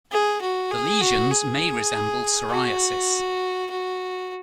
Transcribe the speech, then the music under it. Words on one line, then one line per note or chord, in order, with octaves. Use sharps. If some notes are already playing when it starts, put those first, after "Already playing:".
The lesions may resemble psoriasis.
G#4
F#4
G#4
F#4
G#4
F#4
F#4